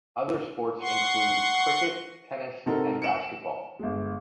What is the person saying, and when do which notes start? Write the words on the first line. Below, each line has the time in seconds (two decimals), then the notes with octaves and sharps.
Other sports include cricket, tennis and basketball.
0.81 F#5 C6 C#6
2.66 C3 C4 D#4 F#4 A4 A#4
3.02 C#7 D7 E7 F#7
3.79 G1 G#3